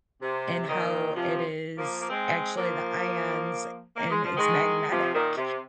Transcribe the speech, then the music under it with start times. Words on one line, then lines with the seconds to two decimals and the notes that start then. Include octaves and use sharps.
and how it is actually the ions a and it's magnetic.
0.22 C3
0.68 A#2 D#3
1.15 C3 F3
1.78 F3 A#3
2.01 A#3
2.10 G#3 C4
2.56 F3 A#3
3.96 A#3
4.10 G#3
4.24 F3
4.37 D#3 G#3
4.91 C3 F3
5.14 A#2 D#3
5.37 C3